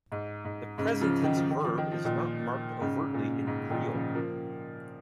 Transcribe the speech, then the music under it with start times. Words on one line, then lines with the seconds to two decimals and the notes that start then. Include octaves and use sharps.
The present tense verb is not marked overtly in Kriol.
0.12 G#2
0.45 G#2
0.78 G#2 C#3
1.01 C#3 F3
1.24 D#3
1.37 F3
1.50 D#3
1.64 F3
1.78 D#3
1.92 F3
2.05 A#2 D#3
2.80 G#2 C#3
3.14 A#2
3.47 G#2 C#3
3.70 A#2 D#3
3.93 C#3 F3
4.15 F3 A#3